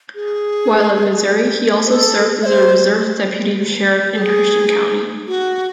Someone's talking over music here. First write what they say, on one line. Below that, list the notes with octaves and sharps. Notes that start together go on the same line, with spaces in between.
While at Missouri, he also served as a reserve deputy sheriff in Christian County.
G#4
C5
A4
E5
C5
A4
G#4
F#4